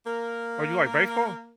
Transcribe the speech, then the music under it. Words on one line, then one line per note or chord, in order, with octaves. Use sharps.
Oh, you like baseball?
A#3 A#4